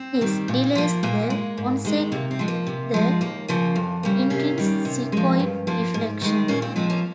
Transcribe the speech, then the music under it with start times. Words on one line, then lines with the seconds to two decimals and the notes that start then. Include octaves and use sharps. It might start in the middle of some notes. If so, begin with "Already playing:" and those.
This delays the onset of the intrinsicoid deflection.
Already playing: C4
0.21 D#3 G3
0.48 A#2
0.75 F3 A#3
1.03 A#2 A#3
1.30 G#3
1.57 G#2
1.85 D#3 G#3
2.12 C3 A#3
2.31 C4
2.39 F3 G#3
2.48 A#3
2.67 C3
2.94 F3 G#3
3.21 D#2 A#3
3.48 C#3 F3 A#3
3.76 F2
4.03 C#3 G3 A#3
4.30 C3 A#3 C#4
4.58 D#3 G3
4.85 C3
5.12 F3 G#3
5.40 G2
5.67 F3 A#3
5.94 G#2
6.21 D#3 G#3
6.48 A#2 A#3 C#4
6.62 C4
6.76 F3 G#3 C4
6.90 A#3 C#4